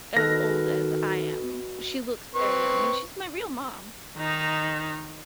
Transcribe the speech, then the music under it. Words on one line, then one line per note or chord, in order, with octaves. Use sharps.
as old as I am. She looks very young, and she's my real mom,
B2 D#3 A4 F6 F#6 A#6
C4 B4 C#6
D#3 D#4